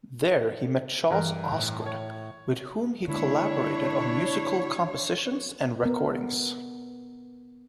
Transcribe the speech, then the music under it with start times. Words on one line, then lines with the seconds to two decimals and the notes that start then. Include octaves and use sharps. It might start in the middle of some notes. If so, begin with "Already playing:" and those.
There he met Charles Osgood, with whom he collaborated on musical compositions and recordings.
1.10 G2 E3 A#4
1.52 A2
1.86 C#5
3.08 D3 G#3 A#3 D4 E4 C#5
5.83 B3 A#4